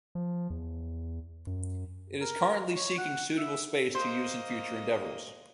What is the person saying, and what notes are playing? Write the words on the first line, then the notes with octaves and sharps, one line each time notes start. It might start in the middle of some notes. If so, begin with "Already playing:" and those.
It is currently seeking suitable space to use in future endeavours.
F3
E2
F#2
A#4
C#5
F#5
E5
A#3 C5 D#5